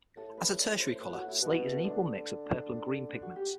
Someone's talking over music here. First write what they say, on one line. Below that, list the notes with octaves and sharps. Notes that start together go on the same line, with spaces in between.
As a tertiary color, slate is an equal mix of purple and green pigments.
A2 A4
B4
D5
C5
A2 B4
F#4
E4
B2 F#4
E4
D3 D4
D4
D4
D4
F#4
G4